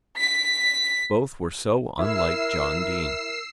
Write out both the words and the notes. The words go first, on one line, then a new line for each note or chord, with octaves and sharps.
Both were so unlike John Dene.
B6
E4 A#4 E6 C7